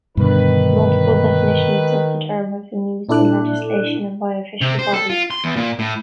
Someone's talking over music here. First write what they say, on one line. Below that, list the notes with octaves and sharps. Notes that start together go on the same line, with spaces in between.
Multiple definitions of the term have been used in legislation and by official bodies.
G2 B2 D3 D#3 B4
A#2 D4 E4 A4 D5 F#6
C3
C5
A4
F4
C6
E2
A#2
A2